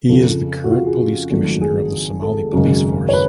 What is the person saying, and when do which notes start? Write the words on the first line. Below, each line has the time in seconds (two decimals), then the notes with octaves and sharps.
He is the current Police Commissioner of the Somali Police Force.
0.09 F2 C#3 F3 A4
0.64 F#4
0.71 F4
0.86 G#4
1.31 G#1 G#2 F#3 A3
1.61 G#4
2.22 A4
2.53 G#1 F#2 C#3 G#3
3.09 C#5
3.13 B4